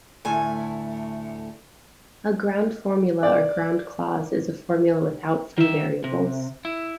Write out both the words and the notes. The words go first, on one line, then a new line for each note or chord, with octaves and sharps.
A ground formula or ground clause is a formula without free variables.
D2 A2 A3 G#5
D5
D#3 E5
C3
E4